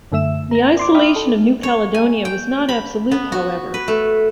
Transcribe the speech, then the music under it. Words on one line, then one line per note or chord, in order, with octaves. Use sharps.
The isolation of New Caledonia was not absolute, however.
F#2 D3 A3 E5 E6 E7
A#5 A#6
D5 C6 D6
E5 G5 B5 D6 D#6 F6
A4
C#5
G#5
G5
B5
B3
F#4
B4
A3